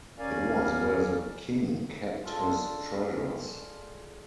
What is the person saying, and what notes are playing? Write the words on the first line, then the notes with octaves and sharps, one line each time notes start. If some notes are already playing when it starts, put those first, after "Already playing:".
It was where the king kept his treasures.
D#2 C#4 A#4 D5 F5 G#5
G#3 D4 F4 A4